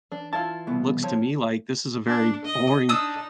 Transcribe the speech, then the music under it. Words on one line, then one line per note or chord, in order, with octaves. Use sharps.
looks to me, like, this is a very boring
E3 D4
E4 F4 A5
C2 B2
F3 C#5 A5
D4
D#5
D4 D#4 D#6 E6